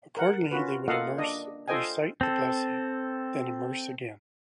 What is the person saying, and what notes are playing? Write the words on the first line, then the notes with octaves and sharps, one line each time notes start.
Accordingly, they would immerse, recite the blessing, then immerse again.
A#4 F#5
C#4 F4 F#4 B4
A#3 F4 A4 D#5 F5 F#5
D4 D#5
F4 A4 C5 D#5 G5 G#5
C4 A4